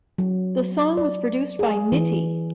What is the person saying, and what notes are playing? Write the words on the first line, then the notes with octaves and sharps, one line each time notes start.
The song was produced by Nitti.
F#3
D5
G#4
E3